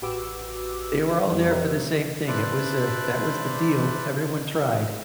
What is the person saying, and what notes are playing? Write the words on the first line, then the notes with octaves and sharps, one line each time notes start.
they were all there for the same thing. It was, uh, that was the deal. Everyone tried.
A1 F#4 G4 B4 D6 E6
F2 E3 G3 B3 C4
G4 A#4 B4 C#5 D#5 E5
D4 B4 C5 D5 E5 F#6